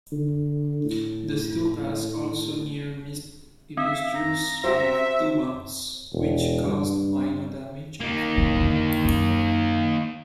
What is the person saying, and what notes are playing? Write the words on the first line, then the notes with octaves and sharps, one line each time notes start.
The Stukas also near-missed "Illustrious" with two bombs, which caused minor damage and flooding.
D3
A2
C4 E5
A#5
F#4 G4 C5 E5
E1
G2
A#3 D#4
C#3 E3
F2 D3
F#2